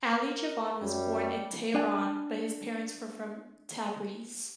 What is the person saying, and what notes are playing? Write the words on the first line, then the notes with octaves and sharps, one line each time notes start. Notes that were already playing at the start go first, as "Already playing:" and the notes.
Ali Javan was born in Tehran, but his parents were from Tabriz.
A#4
F#2 G3
D4 G#5